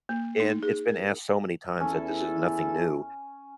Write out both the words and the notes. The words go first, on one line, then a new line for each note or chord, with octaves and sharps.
and it's been asked so many times that this is nothing new,
A#3
D#4
G#4
A#4
E2 C#4 E4 A4